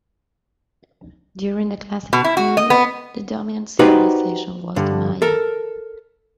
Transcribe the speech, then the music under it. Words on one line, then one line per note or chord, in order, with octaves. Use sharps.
During the Classic period the dominant Civilization was the Maya.
B2
E4
F#4
D#5
B3
D#4 F#4 G4 B4 C5 D5
G2 D3
A4 A#4